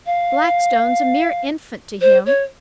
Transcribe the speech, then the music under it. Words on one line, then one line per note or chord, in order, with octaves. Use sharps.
Blackstone's a mere infant to him.
F5
C5
C#5